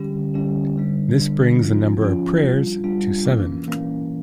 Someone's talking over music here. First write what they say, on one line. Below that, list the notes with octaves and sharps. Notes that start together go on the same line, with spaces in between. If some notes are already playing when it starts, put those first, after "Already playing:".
This brings the number of prayers to seven.
Already playing: D3 G3 C#4 G4
D3 G3 C#4 G4
D3 G3 D4
D3 G3 D4
F3 C#4 F4
F3 C#4 F4
G3 D4 F4
G3 D4 F4
E3 A#3 C#4
E3 A#3 C#4